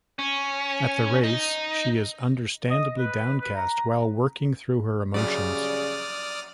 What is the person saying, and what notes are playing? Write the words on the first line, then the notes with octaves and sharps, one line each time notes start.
At the race she is understandably downcast while working through her emotions.
C#4
D#4
D#5
B4
B4
A#5
A#1 F#2 C#3 F#3 G3 D5 D#6 F6